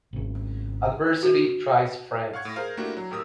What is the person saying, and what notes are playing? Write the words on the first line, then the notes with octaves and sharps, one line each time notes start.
Adversity tries friends.
G#1 C#3
F#4
F5 F#5 C#6 G#6
A2 A#6
G#4 A#4 C5 F5
A3 A#3 D4 E4 F#4 G4
F#3
G#1 A2 G4 A#4 D#6 E6